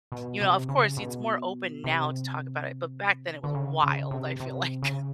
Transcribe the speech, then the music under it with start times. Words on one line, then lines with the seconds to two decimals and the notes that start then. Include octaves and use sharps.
you know, of course, it's more open now to talk about it, but back then was wild, I feel like.
0.12 B2
0.41 C3
0.69 C#3
0.97 B2
1.84 C3
3.44 D3
3.54 C#3
3.83 C#3
4.11 C3
4.40 C3
4.83 C#3